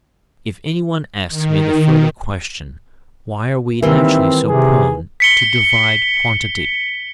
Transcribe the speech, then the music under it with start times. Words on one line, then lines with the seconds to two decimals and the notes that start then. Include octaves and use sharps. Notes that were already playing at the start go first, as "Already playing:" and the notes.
If anyone asks me the further question, Why are we naturally so prone to divide quantity?
1.29 D#3
3.82 D#3 E3 G3 A#3 C4 A#4 E5
4.48 C3 G#4
5.20 B6 C#7 G7